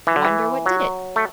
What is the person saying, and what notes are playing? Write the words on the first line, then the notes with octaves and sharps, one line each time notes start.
"Wonder what did it?"
E3
D3
E3
F#3
A3